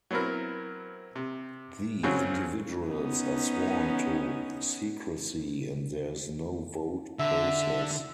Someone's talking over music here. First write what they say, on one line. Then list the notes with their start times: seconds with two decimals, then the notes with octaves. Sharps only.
The individuals are sworn to secrecy and there is no vote process.
0.11 F#3 B3 C4 E4 A#4
1.16 C3
2.03 F2 C#3 F#3 C4 C#4
2.88 B3 C#4 D#4
7.19 D3 E5